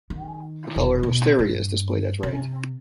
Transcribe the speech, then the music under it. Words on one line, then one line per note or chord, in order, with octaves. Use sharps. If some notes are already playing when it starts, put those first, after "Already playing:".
The color wisteria is displayed at right.
D#3
D#1
B2
G2
C3